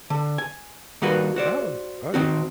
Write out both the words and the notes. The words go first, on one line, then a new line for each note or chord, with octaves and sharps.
Oh, oh, yeah.
D3
G#5
D#3 G3 A#3 F#4 B4
F#4 C5 D5
D#3 C4 F#4